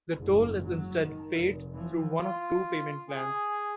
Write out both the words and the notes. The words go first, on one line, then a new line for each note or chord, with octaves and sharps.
The toll is instead paid through one of two payment plans.
F#1 G#2
F#3
D#3
F1
E3 F3
F4
G#4